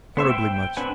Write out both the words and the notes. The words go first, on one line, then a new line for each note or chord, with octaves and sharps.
Horribly much.
B3 C5 E5
G5
C4 D4 B4 F#5 G#5